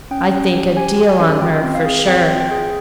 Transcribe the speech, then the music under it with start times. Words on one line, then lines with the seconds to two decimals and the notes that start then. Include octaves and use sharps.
I think a deal on her, for sure.
0.11 C#4 G5
0.33 C#4
0.54 G4
0.77 G4 G#5
0.98 G4
1.20 C#4
1.42 F4 G5
1.63 C4
1.75 F5
1.85 G#4
2.07 C4 G5
2.29 F4
2.40 G5
2.51 G#4